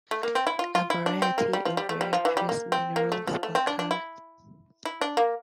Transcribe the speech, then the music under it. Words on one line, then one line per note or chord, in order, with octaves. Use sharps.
A variety of rare trace minerals occur.
A3
A#3
C4
E4
F4
F4
E4
D4
C4
A#3
G3
F3
G3
A3
G3
F3
E3
G3
A#3
C4
A#3
A3
F3
A3
C4
D4
D4
E4
E4
D4
A#3